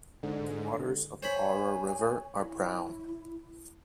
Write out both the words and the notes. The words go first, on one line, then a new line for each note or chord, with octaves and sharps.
The waters of the Aura river are brown.
G#2 D3
C5 C#5 G#5 B5
E4